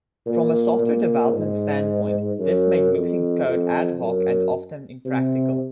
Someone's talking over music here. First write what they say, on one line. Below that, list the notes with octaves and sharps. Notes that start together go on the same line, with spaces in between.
From a software development standpoint, this made mixing code ad hoc and often impractical.
A#2
A#2
G#2
F#2
F2
F2
F#2
C3